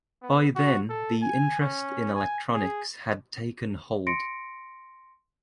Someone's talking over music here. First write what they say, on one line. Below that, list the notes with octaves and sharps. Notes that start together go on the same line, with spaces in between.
By then the interest in electronics had taken hold.
B3
F#4
A4
G#5
C#4
G#5
G#4
C6 A#6 C#7 D7